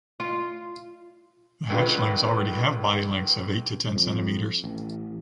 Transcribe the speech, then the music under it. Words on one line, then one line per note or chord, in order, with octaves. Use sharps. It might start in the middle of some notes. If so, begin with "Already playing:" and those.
The hatchlings already have body lengths of eight to ten centimeters.
F4
C#2 D3 D#3 F4 B4
F2
A1